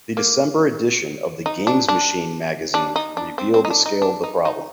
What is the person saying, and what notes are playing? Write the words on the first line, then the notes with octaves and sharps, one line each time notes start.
The December edition of "The Games Machine" magazine revealed the scale of the problem.
A#3
D#4
D4
D4
D4
D#4
D4
C4
C4
D#4
D4
D#4
D4
D#4
D#4